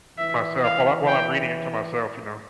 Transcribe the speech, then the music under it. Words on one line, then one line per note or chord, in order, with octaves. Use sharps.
myself while I while I'm reading it to myself, you know?
E3 E5
F5
G5